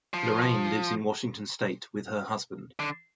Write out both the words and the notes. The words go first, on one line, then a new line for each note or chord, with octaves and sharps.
Lorraine lives in Washington state with her husband.
F3
D3